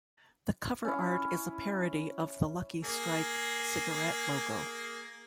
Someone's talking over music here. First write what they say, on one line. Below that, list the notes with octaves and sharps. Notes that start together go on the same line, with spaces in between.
The cover art is a parody of the Lucky Strike cigarette logo.
C#4 E4
A#3 G#4